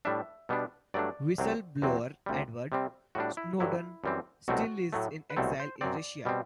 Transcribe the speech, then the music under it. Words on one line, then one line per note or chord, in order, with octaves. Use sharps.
Whistle-blower Edward Snowden still lives in exile in Russia.
A2 G3 D4 E5
B2 G3 B3 D4
G2 F#3 A3 D4 D5
C2 C3 F#3 C4
E2 C3 F#3 C4
D2 C3 G3
C3 G3 C4
A2 G3 D4 F#4
E4
G2 D3 F#3 E4
F#2 E3 G3 C4
C2 B2 F#3 A3 C4 F#4
A2 F#3 A3
B4
C2 B2 F#3 A3 C4 A4
C5
F#2 F#3 C4 D5
B2 G3 C4